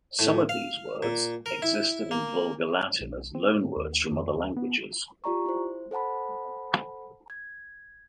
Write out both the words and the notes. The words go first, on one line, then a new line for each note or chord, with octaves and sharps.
Some of these words existed in Vulgar Latin as loanwords from other languages.
A2
F5
A#2
A#4
E4
A#3
B1
C4
A2
D#2
F2
D#2
B3
F4 G4 D5 A#5 C#6
E4 C5
A4 C5 F#5 A5 B5
G#6